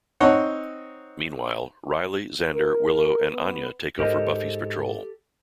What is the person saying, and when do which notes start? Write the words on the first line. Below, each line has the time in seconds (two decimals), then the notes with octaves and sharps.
Meanwhile, Riley, Xander, Willow and Anya take over Buffy's patrol.
0.20 C4 D#4 C#5 F#5
2.52 A#4
3.31 B3
3.99 G#2 G4 A4 A#4 C5 D#5